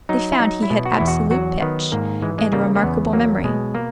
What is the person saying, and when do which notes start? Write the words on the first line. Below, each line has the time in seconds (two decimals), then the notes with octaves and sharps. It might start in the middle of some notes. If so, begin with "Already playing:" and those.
They found he had absolute pitch, and a remarkable memory.
0.09 F#3 D#4
0.32 E4
0.39 F#3 D#4
0.62 E4
0.70 B2
0.85 F#4
0.98 E2 E4
1.08 F#4
1.31 F#3 F#4
1.61 D#3 B3
1.92 G#2 A#3
2.22 E3 G#3
2.38 G#3
2.53 C#3 A#3
2.75 A#3
2.83 E2 B3
3.13 F#3 A#3
3.44 B2 G#3
3.75 A#3